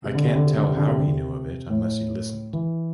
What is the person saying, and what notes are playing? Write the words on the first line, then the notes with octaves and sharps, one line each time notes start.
I can’t tell how he knew of it, unless he listened.
C3
D3
C3
D3
C3
D3
C3
D3
C3
D3
C3
A2
E3